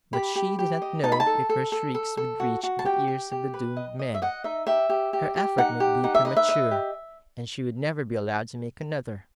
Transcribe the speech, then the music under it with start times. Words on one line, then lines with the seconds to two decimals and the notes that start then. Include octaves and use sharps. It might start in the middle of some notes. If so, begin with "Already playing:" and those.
But she did not know if her shrieks would reach the ears of the doomed men. Her effort might be premature, and she would never be allowed to make another.
0.13 G4 B5
0.36 G4
0.59 G4
0.82 D#5
1.03 D#4 A5
1.12 B5
1.20 A5
1.26 A4
1.49 A4
1.72 A4
1.95 A4
2.17 A4
2.40 F#4
2.63 F#4
2.79 A5
2.85 G4 G5
3.08 G4
3.31 G4
3.54 B4
3.77 D#5
3.99 D#5
4.14 E5
4.22 D#5 F#5
4.44 D#4 E5
4.67 G4 E5
4.89 G4
5.13 G4
5.36 G4
5.58 D#4 F#5
5.80 G4
6.04 D#4 F#5
6.15 E5
6.25 B4 D#5
6.37 E5
6.49 D#5
6.71 G4